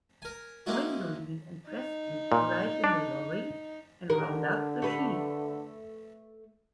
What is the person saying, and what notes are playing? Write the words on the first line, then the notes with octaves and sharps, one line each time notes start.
Wendolene and Preston arrive in the lorry and round up the sheep.
A#4 G#5
A#3 C4 C#4 D#4 E4 F#4
D#4
A#2
D4
D3 A#4
A3 B4